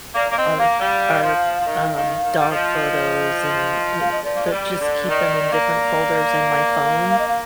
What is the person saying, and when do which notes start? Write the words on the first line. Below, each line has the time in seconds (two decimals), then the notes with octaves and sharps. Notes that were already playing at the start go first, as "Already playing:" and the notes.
our our, um, dog photos and, you kno uh, that just keep them in different folders in my phone,
0.15 A#3 D5
0.31 A#3 D5
0.36 C4 D#5
0.58 A#3 F5
0.80 G3
1.23 F3
1.61 F3
1.65 D#3
1.94 D#3
2.23 D#3
2.40 G3
2.51 F3 D#5
4.00 F5
4.12 D#5
4.23 F3 D5
4.37 A#3
4.45 G#3
4.52 G3
4.80 D3
5.09 D#3
5.52 A#3
6.81 F5
7.10 F5
7.19 D#5
7.28 F5